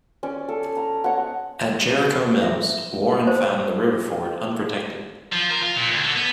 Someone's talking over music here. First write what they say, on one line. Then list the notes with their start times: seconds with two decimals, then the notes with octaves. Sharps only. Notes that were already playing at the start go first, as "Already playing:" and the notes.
At Jericho Mills, Warren found the river ford unprotected.
0.23 C#4 D5
0.48 A4
0.77 A#5
1.04 C#5 D#5 F#5
2.42 E5
3.27 C5
5.32 F3
5.50 A#4
5.62 F4
5.76 A#2
5.90 D2
6.03 D3
6.16 B3